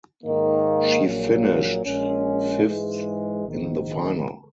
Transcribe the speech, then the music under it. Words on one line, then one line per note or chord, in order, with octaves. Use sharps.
She finished fifth in the final.
G#2 D#3 A#3
A#1 A#2 F#3
A#1 A#2 G#3 C#4
G#2 E3 G#3
A#1 G#2 D#3